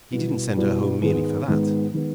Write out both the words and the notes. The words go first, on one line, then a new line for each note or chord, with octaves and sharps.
He didn't send her home merely for that.
B2 G3 B3 E4
B2 G3 B3 E4
G#2 D#3 G#3 B3
G#2 D#3 G#3 B3
D#3 G#3 B3